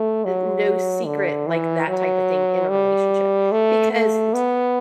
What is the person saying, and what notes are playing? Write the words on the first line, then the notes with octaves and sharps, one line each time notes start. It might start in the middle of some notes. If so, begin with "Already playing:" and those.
uh, no secret like that type of thing in a relationship, because t
Already playing: A3
F#3
D3
E3
F#3
G3
A3
A3
B3